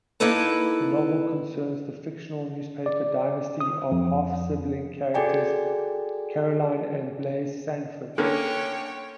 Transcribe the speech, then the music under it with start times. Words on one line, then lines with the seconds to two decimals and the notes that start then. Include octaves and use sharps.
The novel concerns the fictional newspaper dynasty of half-sibling characters Caroline and Blaise Sanford.
0.20 A#3 D#4 E4 A4 B4 A5
2.86 D5
3.61 D#6
3.91 F2
5.14 F#4 G#4 A4 D5 G5 G#5
8.18 D3 A#3 C#4 C#5 G5